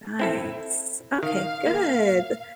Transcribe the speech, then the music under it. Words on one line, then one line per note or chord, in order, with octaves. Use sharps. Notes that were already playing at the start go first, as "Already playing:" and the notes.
Nice, okay, good, th
C4 E4 A4
D#3 F5
A#3